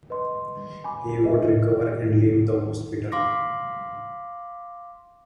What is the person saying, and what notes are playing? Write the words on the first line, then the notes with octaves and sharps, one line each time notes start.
He would recover and leave the hospital.
B4 D#5 C6
G#5 B5 D6
G#4 B4 D#5 E5
F5 C6 D6 A#6